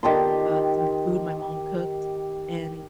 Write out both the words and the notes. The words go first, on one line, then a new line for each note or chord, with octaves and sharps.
uh, some food my mom cooked. And
D#3 G4 A5 C6